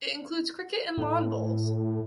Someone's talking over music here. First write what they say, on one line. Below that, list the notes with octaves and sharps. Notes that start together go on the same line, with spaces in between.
It includes cricket and lawn bowls.
A2